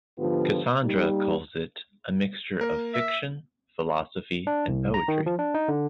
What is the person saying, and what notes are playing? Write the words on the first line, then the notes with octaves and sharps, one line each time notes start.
Cassandra calls it "a mixture of fiction, philosophy and poetry".
G#2 D3 F3 B3 F4 G4
G3 A#3 D#4
A#3 A#4
E5
D4
C2
A#5
D#3
F3
D4
D#4
D3